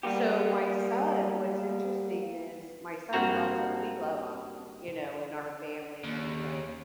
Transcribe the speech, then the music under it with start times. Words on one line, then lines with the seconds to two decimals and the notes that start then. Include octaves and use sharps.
so my son, what's interesting is my son loves 'em, we love 'em, you know, in our family and everything.
0.03 G3 A#3 B3 G4
3.13 G2 A#3 C4 F#4 A#5
6.04 D#2